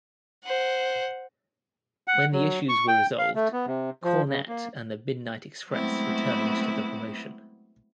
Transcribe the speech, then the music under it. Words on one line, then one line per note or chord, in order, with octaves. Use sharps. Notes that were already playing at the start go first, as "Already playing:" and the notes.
When the issues were resolved, Cornette and the Midnight Express returned to the promotion.
C5 F#5
F#5
F#3
C#6
G5
F5
A3
B3
C3
F3
C#3
A#3
F#3 G#3 A3 B3 C4 E4